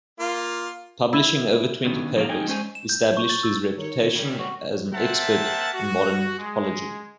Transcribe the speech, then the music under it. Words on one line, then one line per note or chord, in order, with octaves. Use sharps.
Publishing over twenty papers established his reputation as an "expert in modern topology".
A#3 F4
E4
D3 D#3 B3 C#4
F3 F#3 A3 A#3 D5 F5
F3 G#3 D#4 G5 G#5
G#3 C#4 C5 G#5
E7
G6
F#7
C#6
A6
E6
D#3 D#4 A#4 C#5
C#3 G3
F#4
A#3 C4 E5 F#5 A5
F#4
G#3